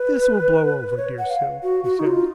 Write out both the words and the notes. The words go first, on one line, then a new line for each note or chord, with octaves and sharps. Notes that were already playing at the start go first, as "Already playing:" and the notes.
"This will blow over, dear Sue," he said.
Already playing: B4
B4
C#5
F#5
F5
F#4
F#4
D#4
F4